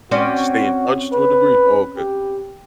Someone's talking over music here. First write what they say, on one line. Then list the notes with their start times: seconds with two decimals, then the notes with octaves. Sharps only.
stay in touch, to a degree? Oh, okay.
0.11 C4 C#4 F#4 D5
1.13 B4
1.97 G4